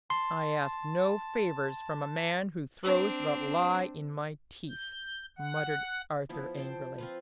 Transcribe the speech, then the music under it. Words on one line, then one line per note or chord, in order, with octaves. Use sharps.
"I ask no favors from a man who throws the lie in my teeth," muttered Arthur angrily.
A5 C6
C4 D4
G6
F#5
F3 B3 E4
C5 G5 A5
C4 F4 B4